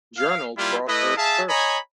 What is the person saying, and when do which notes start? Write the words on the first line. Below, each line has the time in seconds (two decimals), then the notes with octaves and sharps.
Journal brought Earth First!
0.17 F5
0.57 G3 A#3 E4 F4
0.87 A3 E4 B4 D#5
1.17 G#4 E5 F5 A5
1.48 C#5 D#5 G#5 A#5 B5